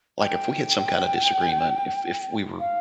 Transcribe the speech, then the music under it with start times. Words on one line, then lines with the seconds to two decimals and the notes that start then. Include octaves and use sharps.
like, if we had some kind of disagreement, if if we were
0.19 G5
2.59 F5